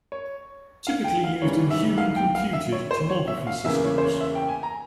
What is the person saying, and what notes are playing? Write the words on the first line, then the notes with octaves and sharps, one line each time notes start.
Typically used in human computed tomography systems.
C#5
F5
G5
F5
G#2 E3 G3 C#5
E5
F5
G5
F5
E5
C#5
C5
C#5
E5
F5
E2 C#3 E3 A#3 E5
C#5
C5
C#5
E5
G5
G#5
A#5